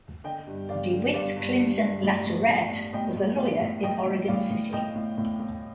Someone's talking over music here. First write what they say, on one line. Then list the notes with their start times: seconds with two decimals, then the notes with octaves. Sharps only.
DeWitt Clinton Latourette was a lawyer in Oregon City.
0.24 D3 D#5 G5
0.47 G2
0.69 G2 D5 F5
0.92 D3
1.14 G2 D5 F5
1.37 G2
1.59 G2
1.82 G2
2.03 A2
2.26 A2
2.49 A2
2.71 A2
2.93 A2 D#5 G5
3.15 A2
3.38 A2 D5 F5
3.61 A2
3.83 A2 D#5 G5
4.06 A2
4.28 A2 D5 F5
4.50 A2
4.73 A2 D#5 G5
4.95 A2
5.18 A2
5.40 A2